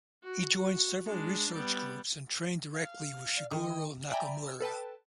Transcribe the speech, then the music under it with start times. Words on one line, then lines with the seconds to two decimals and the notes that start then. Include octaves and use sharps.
He joined several research groups and trained directly with Shigeru Nakamura.
0.24 F#4
0.56 F#4
1.06 G#3 D4
1.52 G3 B3
2.74 F5
3.37 D5
3.51 D#3 D#5 G5
4.11 D5 E5 G5 G#5 A#5 B5
4.61 A4 B4 G5 A5